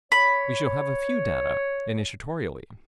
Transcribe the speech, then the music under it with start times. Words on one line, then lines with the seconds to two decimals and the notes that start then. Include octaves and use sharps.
We shall have a few data initiatorily.
0.12 C#5 B5